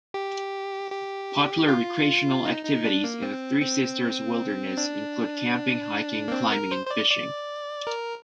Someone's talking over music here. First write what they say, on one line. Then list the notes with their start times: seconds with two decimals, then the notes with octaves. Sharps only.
Popular recreational activities in the Three Sisters Wilderness include camping, hiking, climbing and fishing.
0.14 G4
0.91 G4
1.68 F4
2.46 D#4
2.65 D#4
2.85 D4
3.04 A#3
3.23 C4
3.62 C4
4.78 D4
6.28 A#3
6.32 C4
6.51 A#4
6.71 C5
6.86 C5
6.91 D5
7.10 D5
7.87 A#4